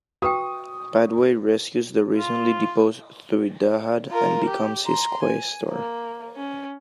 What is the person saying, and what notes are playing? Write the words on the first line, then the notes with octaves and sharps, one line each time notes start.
Padway rescues the recently deposed Thiudahad and becomes his quaestor.
F#4 B4 G5 C#6 D#6
F4
F4 A#4
G4
A#5 C6
G#5
A#3
C#4